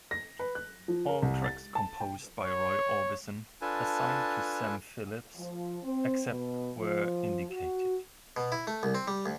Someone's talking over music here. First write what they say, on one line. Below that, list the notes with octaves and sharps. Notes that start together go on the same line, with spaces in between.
All tracks composed by Roy Orbison, assigned to Sam Phillips, except where indicated.
A#6
B4
F#6
F3
A#4
C2
A6
A5
G5
C#5
D4 F4 A4 B4 G#5 A5
F3
C4
B2
F3
F#4
B2
E4
A3
C2
C4
G3
D2